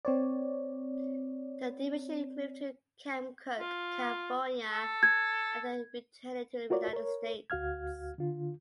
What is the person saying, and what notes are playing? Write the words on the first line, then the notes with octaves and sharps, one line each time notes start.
The division moved to Camp Cook, California after returning to the United States.
C4 C#5 D5
F4
A4
G#6
F4 F#4 A#4 C#5 D5
A#4 C#5
D2 F#4 F5 F6 G#6
D3 F4